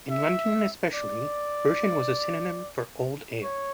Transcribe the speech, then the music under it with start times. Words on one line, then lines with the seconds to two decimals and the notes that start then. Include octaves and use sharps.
In London especially, Burton was a synonym for old ale.
0.10 E5
0.94 D5
3.43 C#5